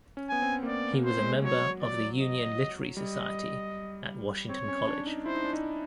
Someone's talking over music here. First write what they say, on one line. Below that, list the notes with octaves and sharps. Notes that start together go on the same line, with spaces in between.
He was a member of the Union Literary Society at Washington College.
C#4
B3 G#5
C4
A#3
B3 D5
A#3
C5
G#3
F#3 C#5
D5
D#5
G3 D#5
C4 C#5
C#4
D4
D#4
E4 C5
D#4
D4
D#4